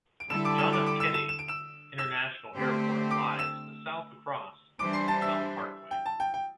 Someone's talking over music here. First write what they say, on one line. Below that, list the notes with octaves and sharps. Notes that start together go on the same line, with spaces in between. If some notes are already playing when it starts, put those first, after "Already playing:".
John F. Kennedy International Airport lies to the south across the Belt Parkway.
D7
D3 G3 E4 A4 E6 E7
D6 D7
E6 E7
D6 D7
D6 D7
E6 E7
E6 E7
E7
D7
E6 E7
E6 E7
D3 A3 C4 G4 C5
D6 D7
E6 E7
E3 G3 D4 C5 D6 D7
C6 C7
A5 A6
E5 E6
G5
A5
G5
G5